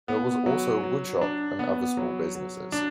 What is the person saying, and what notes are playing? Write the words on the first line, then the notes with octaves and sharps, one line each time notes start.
There was also a wood shop and other small businesses.
B3
F#3
F#3
D4
B3
F#3
F#3
D4